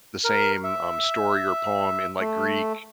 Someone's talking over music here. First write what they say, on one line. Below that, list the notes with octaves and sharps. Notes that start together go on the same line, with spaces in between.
the same, um, story or poem in, like, Greek,
A#4
E5
A3